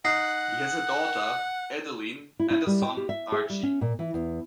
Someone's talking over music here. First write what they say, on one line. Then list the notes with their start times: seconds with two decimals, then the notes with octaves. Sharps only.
He has a daughter, Edieline, and a son, Archie.
0.05 D#4 F#5 F#6 C7
2.39 E4
2.51 E4
2.67 G3
2.82 G5
2.97 G4
3.09 E5
3.32 G#4
3.50 G3
3.63 C#4
3.81 A#2
3.99 E3
4.14 E2